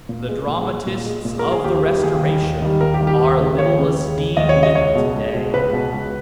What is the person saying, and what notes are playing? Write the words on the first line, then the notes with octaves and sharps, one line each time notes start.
The dramatists of the Restoration are little esteemed to-day.
A#2
G#3
A#2
G#3
A#2
G#3
A#2
A#4
G#3
G#4
D#2 G4
D#3 G3
D#2 G#4
D#3 G3
D#2
D#3 G3
D#2 A#4
G4
D#3 G3
G4
D#2
C#3 G#3
D#2 C#5
C#3 G#3
D#2
C#3 G#3
D#2 D#5
C#5
C#3 G#3
D#5
C#2 C#5
B2 G#3
C#2
B2 G#3
C#2 B4
B2 G#3
C#2